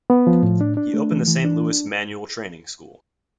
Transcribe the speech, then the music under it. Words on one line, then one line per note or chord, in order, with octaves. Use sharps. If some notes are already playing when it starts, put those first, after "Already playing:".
He opened the Saint Louis Manual Training School.
B3
F3
A2
D4
D4
A3
E3
E3
D4